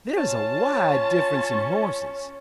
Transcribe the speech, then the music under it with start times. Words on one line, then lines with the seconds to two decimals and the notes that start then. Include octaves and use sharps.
There is a wide difference in horses.
0.17 C#4 F4 A5